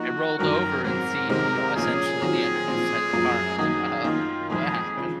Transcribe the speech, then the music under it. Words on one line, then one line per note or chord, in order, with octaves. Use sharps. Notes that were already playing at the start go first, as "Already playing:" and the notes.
I rolled over and seen, you know, essentially the underneath side of the car, and I was, like, "Oh, what happened?"
Already playing: F3 A#3 D#4 F#4
F#2 D#3 F#3 A#4
G#2 F#3 C4 A#4
C3 D#3 G#3 C4 A#4
A#2 F3 A#3 C#4 F4 G#4
D#3 F#3 C4 F4
A#2 F3 C4 F4
F#2 F3 A#3
F#2 D#3 A#3 D#4 F#4 G#4
D#3 A#3 D#4 F4
F2 D#3 G#3 G#4
C#3 F3